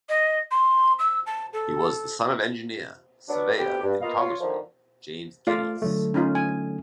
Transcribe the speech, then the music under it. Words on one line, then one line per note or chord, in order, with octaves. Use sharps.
He was the son of engineer, surveyor and Congressman James Geddes.
D#5
C6
E6
A5
A4
F#3 B3 D4
D2 B3 C4 G4
G2
A#3 B3 F4 B4 D#5 F5
F4 C#5
D3 D#3 F3
A3 F4 D5 F5
D3 F#3 A3
C#4 D#4 F4
G#5